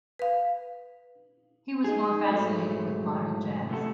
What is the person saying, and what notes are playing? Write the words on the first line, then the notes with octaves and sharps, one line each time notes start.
He was more fascinated with modern jazz.
B4 F5
D#4 G#4
G#2 F#3 G#3 A3
E2 C3 A3 A4 F#5 A5